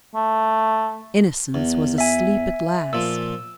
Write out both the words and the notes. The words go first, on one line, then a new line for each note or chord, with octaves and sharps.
Innocence was asleep at last.
A3
E2
E5 G#5
A#2 F3 E6